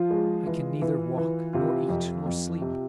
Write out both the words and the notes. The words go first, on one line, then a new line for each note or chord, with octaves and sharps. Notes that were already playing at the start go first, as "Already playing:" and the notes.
I can neither walk, nor eat, nor sleep.
Already playing: F3 F4
G#3
E3
E3
E3
C3 F4
F2
F2
C3